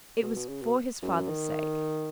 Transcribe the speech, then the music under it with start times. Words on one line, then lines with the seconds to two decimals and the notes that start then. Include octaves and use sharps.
It was for his father's sake.
0.22 B2
0.36 B2
0.49 C#3
0.62 B2
1.02 F#2
1.29 D#3